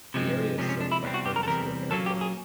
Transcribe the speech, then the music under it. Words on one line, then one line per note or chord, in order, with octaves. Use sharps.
The area is served by Heringsdorf Airport.
C3 F3 G#3 C4
C3 F3 G#3 C4 C#4
C#4
D4
E4
E2 C3 E3 G3 C4
F#4
G4
A#4
A4
E2 C3 E3 G3 C4 A#4
A#2 F#3 A#3 C#4 A4
G4
G#4